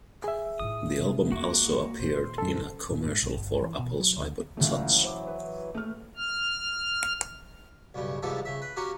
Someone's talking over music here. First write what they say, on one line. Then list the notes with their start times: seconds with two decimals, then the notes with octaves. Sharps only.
The album also appeared in a commercial for Apple's iPod touch.
0.24 G#4 E5
0.59 A2 F4 D#6
0.97 C3
1.32 E2 G#3 A#3 F#4
1.99 A#2 D#3 C5
2.38 F#2 A4
2.92 A#2
3.06 G#2
3.22 B1
3.37 G1
3.62 E3
3.79 B2
4.00 F#3
4.17 D2
4.57 C#2 E3 F#3 A3
5.03 C5 D6
5.27 B4
5.75 A3 F6
6.17 F6
7.94 B1 G2 C#3
8.23 C2 G#2 E3 F3 G4 A4
8.45 C#3 E5
8.62 B4
8.76 A#3 C#4 F#4 G4 A#4